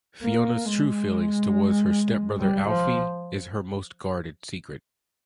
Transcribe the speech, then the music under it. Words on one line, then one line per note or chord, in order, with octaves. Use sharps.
Fiona’s true feelings towards her stepbrother Alfie is her most guarded secret.
A#3
G#3
G3
F3